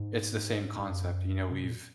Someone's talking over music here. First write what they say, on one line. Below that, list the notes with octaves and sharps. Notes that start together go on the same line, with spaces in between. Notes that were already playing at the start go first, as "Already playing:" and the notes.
it's the same concept, you know, we've
Already playing: G#2
G#2
F#2
C3
A#2